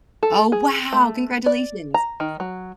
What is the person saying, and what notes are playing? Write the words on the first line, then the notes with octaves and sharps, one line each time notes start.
Oh, wow! Congratulations.
A4
G#4
A3
D5
A#5
D#3
F#3